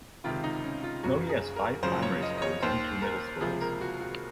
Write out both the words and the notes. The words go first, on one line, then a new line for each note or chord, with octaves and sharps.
Nogi has five primary schools and two middle schools.
C#2 C3 D#3 F4
D#4
C#4
F4
F#1 F#2 C#3 F#4
G#4
A#4
F#1 F#2 C#3 F3 C5
C#5
D#5
D#5
C#5
D#2 D#3 C5
A#4
C#2 C3 F3 G#4
A#4
F#4
F#4